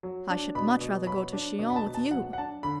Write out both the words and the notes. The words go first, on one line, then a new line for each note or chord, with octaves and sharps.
"I should much rather go to Chillon with you."
F#3
D4
B2 B5
B2
F#3 B5
D4
B2
B5
A5
B2
A5
F#3 F#5
F#5
D4 A5
D3 B5